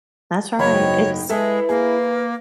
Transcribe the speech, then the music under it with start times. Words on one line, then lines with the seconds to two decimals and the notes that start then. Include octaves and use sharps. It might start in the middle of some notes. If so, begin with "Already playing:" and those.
That's right, it's
0.59 F#1 G#2 F#3 C#5 D#5 G5 B5
1.29 G#3 E4 A4 B4 E5
1.69 A#3 G#4